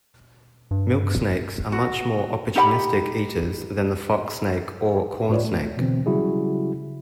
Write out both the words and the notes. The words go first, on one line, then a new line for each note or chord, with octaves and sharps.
Milk snakes are much more opportunistic eaters than the fox snake or corn snake.
G2
F#4
D#4 G4 F5 B5
A2 A3 F4 B4 C#5 D5
A3
B2 D3 E3 C4
C#3 F#3 G3 E4 F#4 G#4